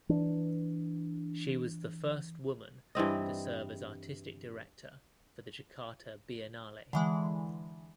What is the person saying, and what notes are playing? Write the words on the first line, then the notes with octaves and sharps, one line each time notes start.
She was the first woman to serve as artistic director for the Jakarta Biennale.
E3 D4
G2 E3 C4 D#5
D3 E3 G#3